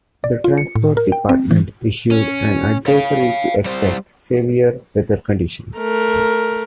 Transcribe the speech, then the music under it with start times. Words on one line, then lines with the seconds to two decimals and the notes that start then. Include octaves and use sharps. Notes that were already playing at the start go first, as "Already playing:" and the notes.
The Transport Department issued an advisory to expect severe weather conditions.
0.24 D5
0.44 F4
0.58 C#7
0.75 A2
0.97 A#4
1.12 G5
1.29 C4
1.51 E3
2.11 C#4
2.87 C#5 F5
3.65 G3 C5
5.77 A3 A#4